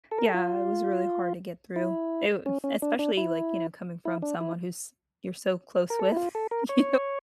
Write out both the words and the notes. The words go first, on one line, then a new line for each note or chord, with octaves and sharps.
Yeah, it was really hard to get through. It Especially, like, you know, coming from someone who's you're so close with you
A4
A#4
A4
F4
E4
C#4
C#4
D4
D4
E4
E4
D4
E4
A#4
A4
E4
F4
A4
A#4
C#5